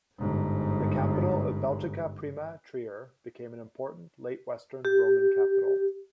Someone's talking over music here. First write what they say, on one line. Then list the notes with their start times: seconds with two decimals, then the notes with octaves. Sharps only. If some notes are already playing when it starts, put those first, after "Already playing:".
The capital of Belgica Prima, Trier, became an important late western Roman capital.
0.19 G1 G#2
4.85 G4